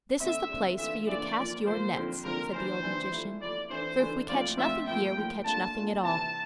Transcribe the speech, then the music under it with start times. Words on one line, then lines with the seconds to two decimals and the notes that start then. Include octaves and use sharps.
"This is the place for you to cast your nets," said the old magician; "for if we catch nothing here we catch nothing at all."
0.20 D3 A3 C4 E5
0.49 D3 A3 C4
0.78 E3 A3 D4 F4 E5
1.07 E3 A3 D4 F4 D5
1.36 A#2 F3 A#3
1.66 A#2 F3 A#3 C5
1.95 D3 F3 C4
2.24 D3 F3 C4 A#4
2.53 E3 G3 D4 C5
2.83 E3 G3 D4
3.12 F3 A3 E4
3.41 F3 A3 E4 D5
3.70 E3 A3 D4 C5
3.99 E3 A3 D4
4.28 A2 F3 C4 F4 D5
4.57 A2 F3 C4 F4 E5
4.86 A2 F3 A#3 G5
5.16 A2 F3 A#3
5.45 A#2 A3 D4 F4 A5
5.74 A#2 A3 D4 F4
6.03 C3 E3 G3 C4 E4 A5